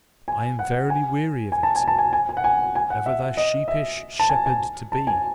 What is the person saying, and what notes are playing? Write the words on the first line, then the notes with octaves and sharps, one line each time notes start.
I am verily weary of it, ever thy sheepish shepherd to be.
G#5
F#5
G#5
G#5
A5
G#5
A5
G#5
G#5
G#5
F#5
G#5
G#5
F#5
E5
D#5
E5
A5
G#5
G#5
A5
G#5